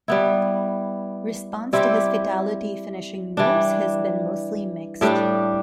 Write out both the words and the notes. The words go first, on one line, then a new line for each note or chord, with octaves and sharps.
Response to his Fatality finishing moves has been mostly mixed.
G3 B3 E4
G3 C4 E4 G4
E3 G3 D4
A2 G3 D4 G4